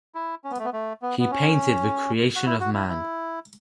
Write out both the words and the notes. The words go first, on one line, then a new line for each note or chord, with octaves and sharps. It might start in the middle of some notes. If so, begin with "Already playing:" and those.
He painted the Creation of Man.
E4
C#4
B3
A3
B3
A3
B3
B3
C#4
F#4
E4
F#4
E4
E4